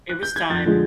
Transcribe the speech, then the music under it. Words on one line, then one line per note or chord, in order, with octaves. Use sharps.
it was time.
F#6
G6
G#6
F2 A6
D3 F3 G#3